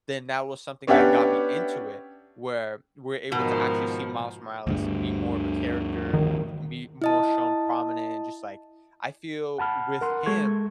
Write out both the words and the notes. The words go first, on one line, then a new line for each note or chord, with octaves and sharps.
then that was something that got me into it where we're able to actually see Miles Morales be more of a character and be more shown prominent, and just, like I feel with him,
B3 C#4 D4 G4 E5 F#5
G#2 B2 D#3 F3
D2 G2 D3
D#3
E4 D#5 A5
F#5 A5 B5 F6
A#4 F#5 C6
G#3 A4 C#6 G#6